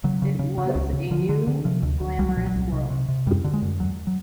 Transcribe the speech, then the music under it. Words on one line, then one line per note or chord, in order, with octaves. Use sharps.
It was a new, glamorous world.
C#3 F#3
C#3
C#3
C#3
C#2
C#3
D3 F3
D3
D3
C3 F3
D2
D2
C2 G3
F#3
A#2 F3
F#3
C2
C3
C3
C3
F#2 G3
D3
G#3
F#2
E2 F#3
F#3